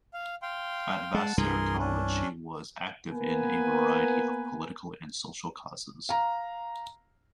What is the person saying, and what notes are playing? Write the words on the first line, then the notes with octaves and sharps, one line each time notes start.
At Vassar College, she was active in a variety of political and social causes.
F5
F5 G5 C6
G#3 F#5 A5
C2 G2 E3 G#4 A#4 C6
C#4 D4
A#3 B3 A#4 B4 G#5
F5 A#5